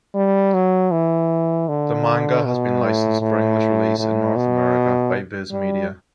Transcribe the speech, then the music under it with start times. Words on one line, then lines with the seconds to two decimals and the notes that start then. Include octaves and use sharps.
The manga has been licensed for English release in North America by Viz Media.
0.15 G3
0.54 F#3
0.91 E3
1.68 D3
2.45 B2
2.83 A2
3.21 A2
3.98 A2
4.36 B2
5.52 G3